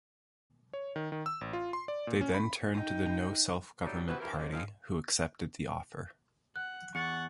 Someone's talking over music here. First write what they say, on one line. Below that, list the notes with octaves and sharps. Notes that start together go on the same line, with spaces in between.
They then turned to the No Self-Government Party, who accepted the offer.
C#5
D#3
D#3
E6
A1
F4
C6
D5
A#2
C#4
B5
D#4 G5
F#3 G3 A3 C#4 D#4 D5
C3 E3 B3 F#4 B4 C5
G2 E3 F3 A#4
E2 C3 F#3 G#3 A#3 C#4
F3 G#3 C4 A#4 C#5 F5
F#5 F#6
E2 F#5 C#6 A6 C#7